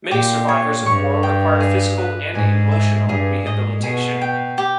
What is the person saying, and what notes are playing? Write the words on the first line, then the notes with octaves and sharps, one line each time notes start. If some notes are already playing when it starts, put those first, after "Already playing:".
Many survivors of war require physical and emotional rehabilitation.
A#2 G4
C#5
G2 C#6
G5
G#4
B4
G#2 G#5
E5
G2 G#4
G#2 D#5
B2 G#4
G5
G4